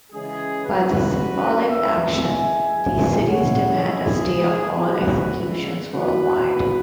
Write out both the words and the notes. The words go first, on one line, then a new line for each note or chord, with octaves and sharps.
By this symbolic action, these cities demand a stay of all executions worldwide.
C#3 E3 G#3 C#4 G#4
C#3 E3 B3 E4 F#4 B4
C#3 E3 G#3 C#4 E4
E2 C#3 E3 B4 E5
C#3 G#3 E4 E5 G#5
F#2 E3 G#3
C#3 G#3 B3 E4 C#5 F#5
B2 G#3 E4 G#4
G#2 G#3 B3
B2 F#3 B3 F#4 B4
C#3 G#3 E4
F#2 F#3 E4 F#4 B4
B2 B3 E4